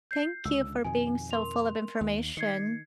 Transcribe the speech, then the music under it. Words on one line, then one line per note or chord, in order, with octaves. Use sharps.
Thank you for being so full of information.
G6 C7
C#2 D3 E6
F2 B2 D#3 G#5
A#4 C6 F7
D#2
D#3 G#6 C7 C#7